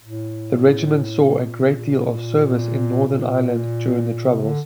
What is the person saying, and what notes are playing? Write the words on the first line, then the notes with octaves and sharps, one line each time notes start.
The regiment saw a great deal of service in Northern Ireland during the troubles.
A2
A#2
A#2
C3
D3